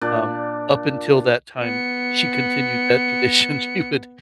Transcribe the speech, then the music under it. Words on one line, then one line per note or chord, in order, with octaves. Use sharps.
Um, up until that time, she continued that tradition. She would
A#2 D4 D5
B3 C#7